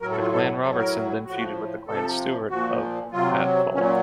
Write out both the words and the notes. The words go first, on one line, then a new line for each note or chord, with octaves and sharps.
The Clan Robertson then feuded with the Clan Stewart of Atholl.
A2 F#3 A#4
A4
F4
A4
A2 F#3 A4
A#4
A2 F3 F#4
C3 F3 A4
A#2 F3 F#4
C3 F#3 F4
A#2 F#3 C#4